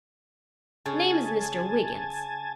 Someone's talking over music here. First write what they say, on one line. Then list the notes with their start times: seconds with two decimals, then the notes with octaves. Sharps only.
"Name is Mr. Wiggins."
0.86 C#3 G#5 A5